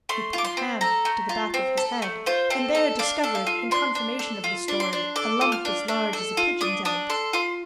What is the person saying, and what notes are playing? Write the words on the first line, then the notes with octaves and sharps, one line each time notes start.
He put a hand to the back of his head, and there discovered, in confirmation of the story, a lump as large as a pigeon's egg.
A3 C6
F4 D6
C6
C4
A4 A#5
A3
F4
C4
A4
A3
F4 C5
C4 A4
A4
D4 F5
A4
F5
F4
D4 C6
D4
A4
F4
D4
C6
D4
A4 D6
F4
F6
D4
D4
A4
F4
D4 D#6
D4 D#6
A4 C6
F4 C6